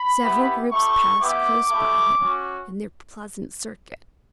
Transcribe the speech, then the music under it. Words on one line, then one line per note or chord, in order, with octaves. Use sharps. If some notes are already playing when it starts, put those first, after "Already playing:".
Several groups passed close by him, in their pleasant circuit.
Already playing: B5
B3 E4 G4
A3 E4 G4 C#6
B3 E4 G4 D6
A3 E4 G4
C#4 F#4